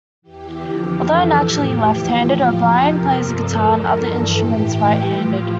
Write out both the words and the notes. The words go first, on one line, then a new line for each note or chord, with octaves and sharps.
Although naturally left-handed, O'Brien plays the guitar and other instruments right-handed.
E2 E3 G4
F2 D3 F3 G4
F2 E3 A4
A2 F3 G4
E2 E3
A2 F3 F4
E2 C3 F3 G4
F2 C3 F3 A#4
G2 F3 A4
E2 D3 F3 A#4
G2 E3 A4
A2 E3 G4
A2 E3
A2 F3 F4